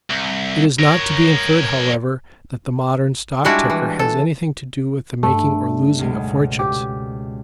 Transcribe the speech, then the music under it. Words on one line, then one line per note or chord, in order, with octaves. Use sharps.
It is not to be inferred, however, that the modern stock ticker has anything to do with the making or losing of fortunes.
C2
A#4 C#5
G3 G#3 D4 E4 F#4
E3
A4
G2 A3
C#2 B2 G#3
G4